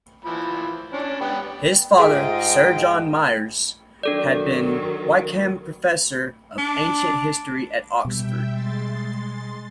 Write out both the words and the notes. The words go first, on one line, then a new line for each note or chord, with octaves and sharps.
His father Sir John Myres had been Wykeham Professor of Ancient History at Oxford.
E3 F3 B5
C#4 D4
B3 G4 B4
G#2 F4 G4 G#4 D#5 E5 G5
D#3 F#3 D4 A4 D5
D4
B2 G3 E5 G5
G#3 C6 A6